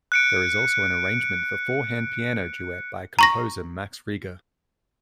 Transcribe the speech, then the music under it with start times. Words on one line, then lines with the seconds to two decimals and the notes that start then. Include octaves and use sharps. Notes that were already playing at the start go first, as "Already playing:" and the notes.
There is also an arrangement for four-hand piano duet by composer Max Reger.
0.12 F#6 C#7 D7
3.19 A#5 C#6 A#6